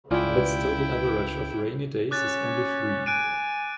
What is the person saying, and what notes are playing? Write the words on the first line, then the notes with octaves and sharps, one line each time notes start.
Its total average of rainy days is only three.
C#2 E4 F4 G#4 D5 G5
C#4 D6 F#6 A6
G#5 F#6 D7 D#7